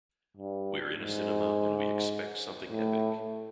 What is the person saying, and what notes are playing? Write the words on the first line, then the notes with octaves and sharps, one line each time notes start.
We're in a cinema, and we expect something epic.
G2
G#2
A2